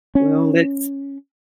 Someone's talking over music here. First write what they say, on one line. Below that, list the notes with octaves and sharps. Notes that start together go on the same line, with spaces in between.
Well, let's
C#4